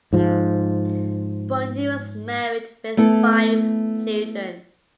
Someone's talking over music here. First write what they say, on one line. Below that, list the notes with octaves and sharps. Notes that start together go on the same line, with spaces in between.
Bundi was married with five children.
G#2 F3
A3 B3 E4 A4